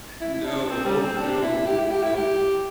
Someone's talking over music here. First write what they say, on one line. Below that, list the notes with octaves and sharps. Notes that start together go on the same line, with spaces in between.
No, oh no, so no.
E4
E4
D4
C4
G3
C4
D4
E4
G4
E4
G4
E4
G4